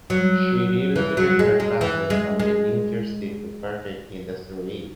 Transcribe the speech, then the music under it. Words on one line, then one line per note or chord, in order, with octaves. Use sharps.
She relocated her family from New Jersey to partake in the series.
F#3
E3
F#3
G#3
G#3
E3
G#3
G#3